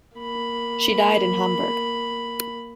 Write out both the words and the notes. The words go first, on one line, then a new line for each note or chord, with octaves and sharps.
She died in Hamburg.
A#3 B5